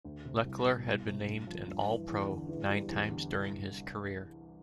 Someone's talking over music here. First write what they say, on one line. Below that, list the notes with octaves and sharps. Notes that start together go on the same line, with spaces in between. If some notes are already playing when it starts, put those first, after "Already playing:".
Lechler has been named an All-Pro nine times during his career.
D2
C3
C2
B2
C2
C3
G2
F3
G2
E3
E2
D3
E3
G3
E2
D3
C2